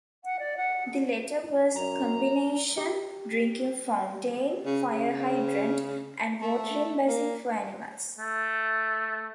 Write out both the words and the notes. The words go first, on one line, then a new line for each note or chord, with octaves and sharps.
The latter was a combination drinking fountain, fire hydrant, and watering basin for animals.
F#5
D5
F#5
F#2 A#5
G4
C#3
C#3
A3
A#3
A3